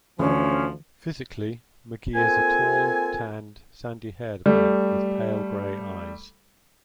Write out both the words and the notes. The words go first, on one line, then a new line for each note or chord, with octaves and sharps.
Physically, McGee is a tall, tanned, sandy-haired man with pale grey eyes.
D2 D3 E3 F3 C#4
A#3 C4 F4 A4 G#5
G3 A3